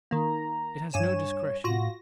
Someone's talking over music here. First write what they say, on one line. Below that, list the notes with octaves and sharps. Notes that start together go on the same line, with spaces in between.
It has no discretion.
D#3 A#3 A#5
G2 C#5 G#5 E7
A2 F4 F#4 A#6